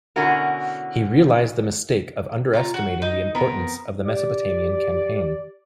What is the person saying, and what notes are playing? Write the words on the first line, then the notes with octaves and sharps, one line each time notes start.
He realized the mistake of underestimating the importance of the Mesopotamian campaign.
B2 D3 C#4 E4 F#4 A#4
F4 C#5 A#5
F#4
D#4 D#5
B3 C4 A#4
G4 D5